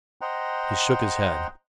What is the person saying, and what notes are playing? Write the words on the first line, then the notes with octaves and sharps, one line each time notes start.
He shook his head.
C5 D#5 F#5 G5 A#5